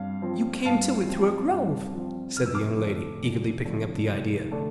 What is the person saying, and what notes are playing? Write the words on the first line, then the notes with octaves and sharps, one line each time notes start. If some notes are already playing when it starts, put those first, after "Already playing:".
"You came to it through a grove," said the young lady, eagerly picking up the idea.
Already playing: G2 C4 F5
F3 C4
G2 F5 A5
F3 C4
G2
F3 C4
F1 F6
E6
D6 F6
F2 D3 A3 D4
F1
F2 D3 A3 D4
F1
D3 A3 D4